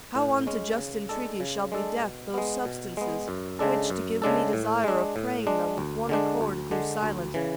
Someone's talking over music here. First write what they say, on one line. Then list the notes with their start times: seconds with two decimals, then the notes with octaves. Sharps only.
How unto just entreaties shall be deaf Those substances, which, to give me desire Of praying them, with one accord grew silent?
0.15 A2
0.47 G#3 C#4
0.78 C#3
1.09 G#3 D4 A4
1.40 C#3
1.72 G#3 D4 A4
2.03 B2
2.34 G#3 B3
2.65 B2
2.97 G#3 B3
3.28 F#2
3.59 C#3 G#3 D4 A4
3.90 F#2
4.22 C#3 G#3 D4 A4
4.53 A2
4.84 G#3 D4
5.16 A2
5.47 G#3 D4
5.78 D2
6.09 D3 G#3 D4
6.41 D2
6.71 D3 G#3 D4
7.03 D2
7.34 C#3 E3